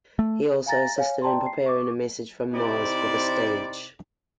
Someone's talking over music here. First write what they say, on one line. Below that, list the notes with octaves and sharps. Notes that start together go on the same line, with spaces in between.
He also assisted in preparing "A Message From Mars" for the stage.
A3
F5 G#5 A#5 A6 A#6
C#5 F5 G#5
D5 G5 A5 A#5 C6
C7
C#6 D6
C3 C4 D#4 E4 D5